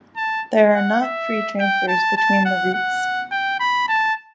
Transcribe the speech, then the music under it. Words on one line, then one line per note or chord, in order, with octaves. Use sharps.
There are not free transfers between the routes.
A5
F#5
E5
G5
A5
A5
F#5
F#5
G5
B5
A5